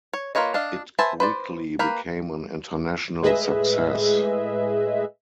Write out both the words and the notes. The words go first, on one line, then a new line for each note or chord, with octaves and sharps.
It quickly became an International Success.
C#5
A#3 F4 B4 C#5 D#5
D4 D#5 F5
B4 C5 E5 G#5 A5
B4 C5 D5
A#3 A#4 B4 G5
A2 G#3 G#4 B4 D#5 E5